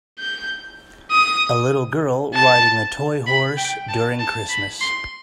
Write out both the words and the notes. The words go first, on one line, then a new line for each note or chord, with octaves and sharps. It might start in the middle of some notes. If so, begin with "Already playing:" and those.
A little girl riding a toy horse during Christmas.
G6
D#6
A5
B5
G5
A5
A5
B5
C6